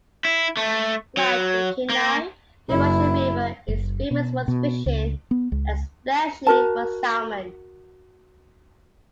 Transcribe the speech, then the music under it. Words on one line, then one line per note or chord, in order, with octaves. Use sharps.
Like the Kenai, the Russian River is famous for its fishing, especially for salmon.
E4
A3
F#3
A#3
F#1 E4
F#1
B2
B2
C#2
B3
C#2
F#4 A#4 A5